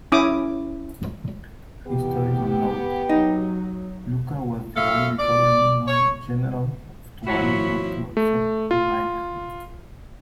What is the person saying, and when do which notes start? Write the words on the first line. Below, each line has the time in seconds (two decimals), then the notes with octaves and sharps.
Historical note: Luka was the only Governor-General of Tuvalu not to accept a Knighthood.
0.12 C#4 E4 D6 D#6
1.87 E2 A2 C3 B3 G4
3.09 F#3 D#4
4.75 F#2 A4 E5 F5
5.18 D5
5.87 C#5
7.27 G#1 F3 E4 F#4 C#5 F#5 B5
8.17 A3
8.71 F4